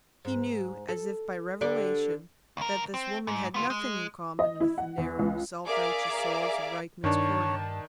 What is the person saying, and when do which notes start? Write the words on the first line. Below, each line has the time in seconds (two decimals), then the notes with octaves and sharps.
He knew, as if by revelation, that this woman had nothing in common with the narrow, self-righteous souls of Rykman's Corner.
0.25 G#2
0.89 A4
1.61 D3 G4 D5
2.57 D2 A#4
2.94 C4
3.27 G#2
3.54 B3 F4
3.70 G#3
4.39 D#5
4.60 E4
4.78 F#5
4.98 E2
5.19 C#2
5.67 G#4 A#4 D5 E5 F5 D6
7.04 G2 D#3 D4 C#5 A5